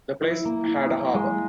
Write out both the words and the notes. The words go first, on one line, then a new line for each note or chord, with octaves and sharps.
The place had a harbour.
E4
A#3
E4
A#3
G#3